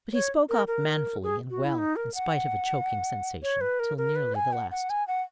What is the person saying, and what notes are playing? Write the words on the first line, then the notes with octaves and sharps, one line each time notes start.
But he spoke out manfully and well, in spite of a choking sensation, till nearly the last.
C#5
A#4
A#4
G#4
F#4
E4
D#4
A#4
F#5
C#5
B4
A#4
A#4
B4
G#5
F#5
F#5
G#5
F#5